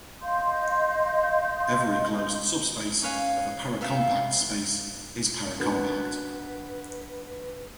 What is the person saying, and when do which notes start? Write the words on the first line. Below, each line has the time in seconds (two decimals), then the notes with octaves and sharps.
Every closed subspace of a paracompact space is paracompact.
0.22 D#5 F5 C6 G6
3.03 C#4 B4 F5 G#5
3.81 B3 E5 F5
5.60 B3 D4 F#4 A#4 B4